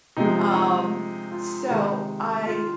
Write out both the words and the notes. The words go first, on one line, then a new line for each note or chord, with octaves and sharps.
um, so I
C3 F3 G#3 D#4
F4
D#4
F4
C3 D#3 G#3 D#4
F4